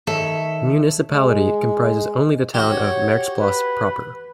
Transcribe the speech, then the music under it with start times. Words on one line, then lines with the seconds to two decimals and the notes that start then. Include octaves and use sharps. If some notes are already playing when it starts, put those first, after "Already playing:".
The municipality comprises only the town of Merksplas proper.
0.07 D#3 A4 C#5 E5
1.11 G#3
2.54 F#4 G4
2.68 C#5
3.38 B4